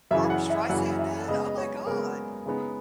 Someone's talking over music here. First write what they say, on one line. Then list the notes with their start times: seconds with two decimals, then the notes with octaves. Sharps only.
Barbara Streisand did? Oh, my God.
0.11 F#2 C#3 E3 E5
0.30 F#5
0.50 E5
0.69 F#2 C#3 E3 F#5
0.99 E5
1.28 C#3 G#3 B3 D#5
1.46 D#5
1.58 C#5
1.87 C#3 G#3 B3 A#4
2.46 C#3 G#3 B3 D#4